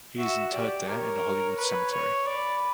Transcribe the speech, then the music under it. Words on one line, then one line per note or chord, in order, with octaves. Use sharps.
He is interred there in the Hollywood Cemetery.
F#4 E5
G4 D5
A#4 C#5
B4
C#5
B4 D5